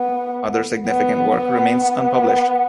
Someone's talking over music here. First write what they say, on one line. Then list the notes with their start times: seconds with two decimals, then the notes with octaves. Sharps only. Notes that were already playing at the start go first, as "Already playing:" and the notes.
Other significant work remains unpublished.
Already playing: B3
0.87 B3
1.36 B3
1.85 B3